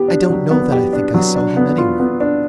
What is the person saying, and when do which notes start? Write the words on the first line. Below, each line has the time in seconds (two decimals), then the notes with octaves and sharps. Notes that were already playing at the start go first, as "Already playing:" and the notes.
'I don't know that I think I saw them anywhere.
Already playing: B3 G4
0.08 D4
0.30 F#3
0.51 B3
0.72 G4
0.93 D4
1.14 F#3
1.36 D4
1.57 B3
1.78 F4
2.00 B3
2.20 D4